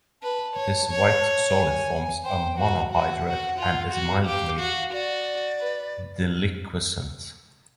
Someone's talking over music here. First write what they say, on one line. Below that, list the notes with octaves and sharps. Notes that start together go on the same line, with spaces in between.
This white solid forms a monohydrate and is mildly deliquescent.
B4 A5
C#5
C#5
G#5
C5 G5
F#4 F#5
F#4 F#5
F#4
F4
F#4
G4 F5
F#4
F#4 D5
B4